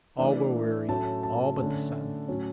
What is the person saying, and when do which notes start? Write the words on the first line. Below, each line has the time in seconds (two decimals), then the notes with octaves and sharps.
All were weary, all but the sun.
0.18 E3 A3 D4
0.88 A2 F#3 A3 C#4 A5
1.23 A5
1.58 D3 A3 C#4
2.28 A2 F#3 C#4